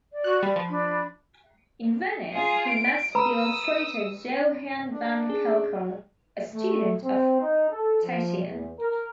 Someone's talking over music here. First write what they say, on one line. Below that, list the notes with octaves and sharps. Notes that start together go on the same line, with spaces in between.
In Venice, he met the illustrator Johan van Calcar, a student of Titian.
D5
F#4 F#6
G3 B5
F3
D4
F4 G#4
D7
B4 A#5 B5 D#6 E6
D4
C#4 G#4
A3
C4
D#4
A4
F3
E2
A#4